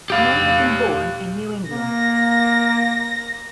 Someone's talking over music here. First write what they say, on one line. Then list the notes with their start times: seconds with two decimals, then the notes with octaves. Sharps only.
He may have been born in New England.
0.10 G4 F5
1.71 A#3 A#6